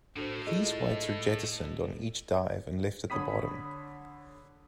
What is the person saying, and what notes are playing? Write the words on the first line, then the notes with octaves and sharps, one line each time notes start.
These weights are jettisoned on each dive and left at the bottom.
A2 D4 F#4 A4 C5
E4 F4 G#4 A4 D#5
D3 C#5 B5 D#6 B6